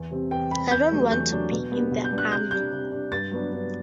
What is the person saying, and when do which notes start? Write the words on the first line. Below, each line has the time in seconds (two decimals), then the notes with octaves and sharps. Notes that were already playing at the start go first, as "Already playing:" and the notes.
I don’t want to be in the army.
Already playing: E2
0.11 C3 G3 C4
0.31 E2 G5
0.51 C3 G3 C4 B5
0.71 E2 G6
0.91 C3 F#3 A3 D4
1.11 E2 G6
1.31 C3 F#3 A3 D4
1.51 B2
1.71 G3 B3 D4
1.91 B2
2.05 G6
2.11 G3 B3 D4
2.18 F#6
2.32 C3 G6
2.51 G3 D4 G6
2.72 C3
2.91 G3 D4
3.12 G2 A6
3.31 F#3 B3 D4
3.52 G2